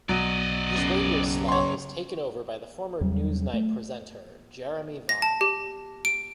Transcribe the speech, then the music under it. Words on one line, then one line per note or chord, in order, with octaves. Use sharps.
His radio slot was taken over by the former "Newsnight" presenter, Jeremy Vine.
B1 F#3 D5 D#5
F#2 C#3
C#5 C6
E2 F#3 G3
A3
A#6
A5
G4
D7